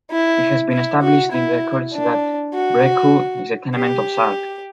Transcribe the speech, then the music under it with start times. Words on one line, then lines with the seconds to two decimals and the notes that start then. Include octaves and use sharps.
It has been established in the courts that Brecqhou is a "tenement" of Sark.
0.11 E4
0.72 E4
1.02 F#4
1.32 E4
1.94 D4
2.54 F#4
3.75 G4